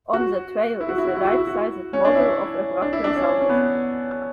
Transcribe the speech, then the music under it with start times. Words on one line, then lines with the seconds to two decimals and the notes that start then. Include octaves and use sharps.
On the trail is a life-sized model of a brachiosaurus.
0.13 F#4
0.81 E4
0.89 F#4
0.98 E4
1.07 F#4
1.17 E4
1.25 F#4
1.34 E4
1.47 F#4
1.93 C#4
2.05 D4
2.15 E4
2.82 D4
2.93 E4
3.04 D4
3.16 C#4
3.40 C#4
3.49 B3